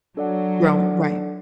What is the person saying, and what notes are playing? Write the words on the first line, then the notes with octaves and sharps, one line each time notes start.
Growing, right.
F#3 D4 A4 D5 F#5
D4 A4 D5 F#5